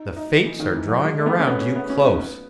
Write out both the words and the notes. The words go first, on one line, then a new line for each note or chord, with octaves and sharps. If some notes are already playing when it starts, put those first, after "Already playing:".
The fates are drawing around you close.
Already playing: D#4
D#4
E3
D#3
E3
F#3
G#3
A3
B3
A3
C#4
B3
C#4
B3
C#4
D#4
B3